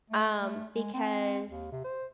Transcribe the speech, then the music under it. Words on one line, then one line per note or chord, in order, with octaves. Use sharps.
Um, because
A3
A3
G#3
C4
D#2
C3
C5